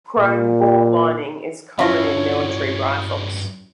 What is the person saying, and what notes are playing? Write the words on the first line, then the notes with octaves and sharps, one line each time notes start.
Chrome bore lining is common in military rifles.
A#2
G2 F#3 C#4 E4 F4 C#5 E5 F5